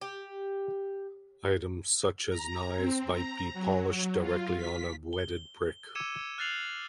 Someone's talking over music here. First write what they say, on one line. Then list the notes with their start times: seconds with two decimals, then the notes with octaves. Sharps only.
Items such as knives might be polished directly on a wetted brick.
0.01 G4
2.30 A#5
2.77 C4
3.12 A#5
3.53 F#3
4.22 F4
4.56 B6
5.13 G7
5.95 D6 E6 G#6 C#7 D#7 E7
6.38 F6 F#6 A6 C7 F7 F#7